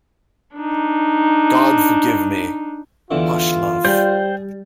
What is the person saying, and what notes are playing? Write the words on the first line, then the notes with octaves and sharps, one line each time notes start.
God forgive me! Hush, love!
D4 D#4
E2 D3 E3 F4
G3 G#4 C5 G5